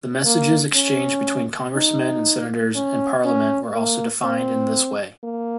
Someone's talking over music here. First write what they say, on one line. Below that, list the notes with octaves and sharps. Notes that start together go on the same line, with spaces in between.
The messages exchanged between congressmen and senators in parliament were also defined in this way.
A#3
C#4
D#4
C#4
C#4
A#3
C4
A#3